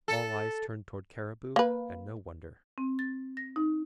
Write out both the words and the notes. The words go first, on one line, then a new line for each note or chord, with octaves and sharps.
All eyes turned towards Cariboo; and no wonder!
A4
A#3 B4
C4
A6
A#6
D#4